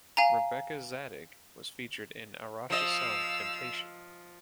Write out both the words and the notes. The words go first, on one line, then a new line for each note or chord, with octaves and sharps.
Rebecca Zadig was featured in Arash's song "Temptation".
F5 G#5 A#5
F3 D#5 F5 E6